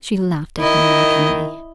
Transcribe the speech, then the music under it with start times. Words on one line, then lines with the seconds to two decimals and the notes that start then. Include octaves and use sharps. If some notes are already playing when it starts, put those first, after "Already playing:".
She laughed at him mockingly.
0.59 D#3 E4 D#5